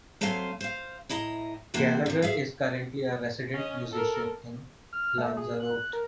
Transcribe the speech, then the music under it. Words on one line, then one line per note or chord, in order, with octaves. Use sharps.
Gallagher is currently a resident musician in Lanzarote.
F#3 A3 C4 C5 F5 G#5
C5 F5
A2 E4 D#5 A#5
E3 A3 A#3 F#4 C5
C3 F3
G#4 E5 F5
C#4 D#5
A4 A#4
F6
A3
G#4
F#6
A#4